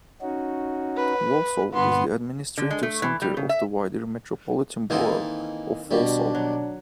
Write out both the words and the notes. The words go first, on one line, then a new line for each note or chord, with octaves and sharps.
Walsall is the administrative centre of the wider Metropolitan Borough of Walsall.
C#4 D#4 F#4
B4
G2 D3 B3 C6
D3
G#3
A3
E3
G3
C#3
E5
D#3 E3 A#3 C4 D#4 A4
B2 G3 D4
F#3